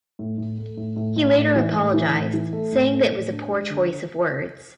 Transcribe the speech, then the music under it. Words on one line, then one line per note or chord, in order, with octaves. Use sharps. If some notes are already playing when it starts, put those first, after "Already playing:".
He later apologized, saying that it was a poor choice of words.
A2
A2
A3
A2
A2
A2
A2
E3
A2
E3
A2
E3
A3
A2
A3
A2
D4
G#3
D3